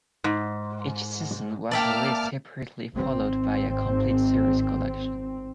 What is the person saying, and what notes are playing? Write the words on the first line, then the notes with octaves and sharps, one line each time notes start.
Each season was released separately followed by a complete series collection.
G#2
A#3 D5 E5 G5 A5 D6 F6
G#1 C4